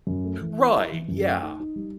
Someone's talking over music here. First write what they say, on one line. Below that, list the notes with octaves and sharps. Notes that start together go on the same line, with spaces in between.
Right, yeah.
F#2
A3
E3
E4
E4
E3
F#2
A3
D#4
D#4
G3